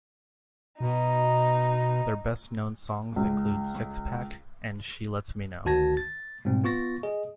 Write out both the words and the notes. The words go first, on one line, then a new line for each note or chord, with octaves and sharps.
Their best known songs include "Six Pack" and "She Lets Me Know".
B2 D#4
C#2
D2 D#3 F#4 A5 G#6 A#6
A6
G#2 B2 G3 C4
B3 F4 C#6 A6 A#6
G#4 D#5